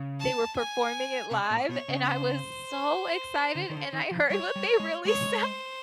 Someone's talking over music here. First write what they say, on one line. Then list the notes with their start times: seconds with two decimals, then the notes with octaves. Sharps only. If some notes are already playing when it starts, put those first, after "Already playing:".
they were performing it live and I was so excited and I heard what they really sounded
Already playing: C#3
0.20 A5
0.58 G#5
1.31 C3 D5
1.51 A#2
1.69 B2 C#5
1.88 C#3
2.06 C5
3.55 D3
3.70 D#3
3.75 D3
3.93 D#3
4.11 F3
4.30 G3 C#5
4.56 G3
4.80 G#3
5.05 G#3 C#5
5.42 C5